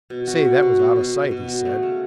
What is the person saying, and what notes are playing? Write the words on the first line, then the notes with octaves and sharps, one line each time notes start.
"Say, that was out o' sight," he said.
B2
F#4
F#4
B2
B2
B2
B2
B2
F#4
A3
C#3